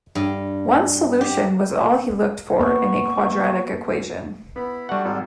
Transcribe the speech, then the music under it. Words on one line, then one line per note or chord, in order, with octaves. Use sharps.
One solution was all he looked for in a quadratic equation.
G2
G4
A#3 B3 C#6
B3 E4 B5
G3 A3 D4 F#4 F#5
G#1 A4 A#4